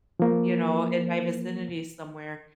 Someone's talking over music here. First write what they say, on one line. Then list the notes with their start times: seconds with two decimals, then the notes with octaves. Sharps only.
you know, in my vicinity somewhere,
0.20 F3 A#3